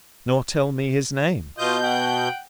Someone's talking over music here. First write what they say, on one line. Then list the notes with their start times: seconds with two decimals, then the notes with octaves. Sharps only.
"Nor tell me his name."
1.58 B2 F4 D#5 G6
1.84 F#5 G5